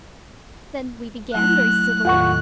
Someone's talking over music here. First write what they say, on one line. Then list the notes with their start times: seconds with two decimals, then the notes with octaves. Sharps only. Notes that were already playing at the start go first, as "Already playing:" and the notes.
Then we began--very civilly.
1.34 F#3 A3 E4 F#6
2.05 E2 A2 D#3 F4 F#5 C#6